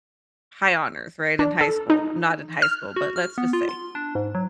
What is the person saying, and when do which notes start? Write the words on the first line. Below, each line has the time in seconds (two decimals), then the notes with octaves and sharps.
high honors, right, in high school. I'm not in high school, but let's just say.
1.39 D4
1.61 A4
1.90 D#4
2.62 F6
2.96 F#4
3.16 F6
3.38 B3
3.53 F4
3.69 C6
3.95 D4
4.15 G#2
4.35 F#3